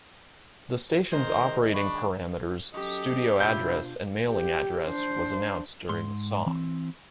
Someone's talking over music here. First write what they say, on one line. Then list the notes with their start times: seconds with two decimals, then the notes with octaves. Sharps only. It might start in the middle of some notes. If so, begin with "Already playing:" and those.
The station's operating parameters, studio address and mailing address was announced during the song.
1.12 D#3 G#3 G#4 A#4 C5
1.74 D4 B5 C#6
2.74 F#3 C#4 G4 A4 D#5
3.40 B2 D4 E4 F4 G6
4.29 G4
4.87 D4 C5
5.89 G#2 C6
6.46 E3 C4